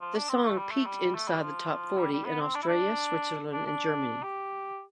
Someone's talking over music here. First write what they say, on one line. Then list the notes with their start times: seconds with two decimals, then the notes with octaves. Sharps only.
The song peaked inside the top forty in Australia, Switzerland and Germany.
0.01 F3
0.15 D4
0.29 C4
0.44 A3
0.58 G3
0.71 A3
0.86 G3
1.15 A3
1.28 G3
1.41 F3
1.98 G3
2.12 G3
2.26 B3
2.40 C4
2.54 D4
2.62 E4
2.68 D4
3.53 D4
3.66 D4
4.23 G4